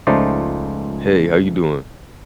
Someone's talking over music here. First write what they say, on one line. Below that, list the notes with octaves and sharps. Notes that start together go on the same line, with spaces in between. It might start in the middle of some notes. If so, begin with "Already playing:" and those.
Hey, how you doing?
C#2 F3 A3 D#4 C5 D5